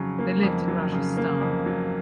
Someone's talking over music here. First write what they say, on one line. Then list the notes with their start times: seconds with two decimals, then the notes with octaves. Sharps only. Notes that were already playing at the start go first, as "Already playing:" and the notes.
They lived in Rajasthan.
Already playing: F2 C#3 F#3
0.19 A#3
0.43 F2
0.68 F#3
0.92 C#3
1.17 A#3
1.41 F2
1.66 F#3